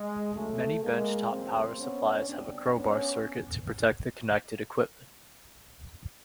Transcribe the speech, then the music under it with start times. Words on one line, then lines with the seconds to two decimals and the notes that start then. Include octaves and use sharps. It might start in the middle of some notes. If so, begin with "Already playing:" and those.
Many bench top power supplies have a crowbar circuit to protect the connected equipment.
Already playing: G#3
0.34 D2 C#3 F#3 A3
0.82 G#3 A#3
1.30 F#2 C#3 E3 G3 A#3 C4
1.79 B3 C#4
2.27 G1 F#2 C#3 F#3 C4 D4
2.76 B3 C#4